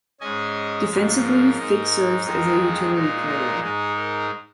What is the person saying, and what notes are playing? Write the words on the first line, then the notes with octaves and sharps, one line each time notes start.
Defensively, Fick serves as a utility player.
G#2 G#3 C#4 D#5 G#5
G#2 F3 C#4
A#4
G#2 G#3 D#4
F2 D#3 G#3 D#4 A#4
G#4
A#2 G#3 D#4 A#4
A#4
G#2 G#3 D#4 G#4
A#4